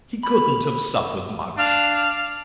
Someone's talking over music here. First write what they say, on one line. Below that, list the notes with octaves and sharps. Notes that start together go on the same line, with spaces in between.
He couldn't have suffered much.'
B5
D4 F5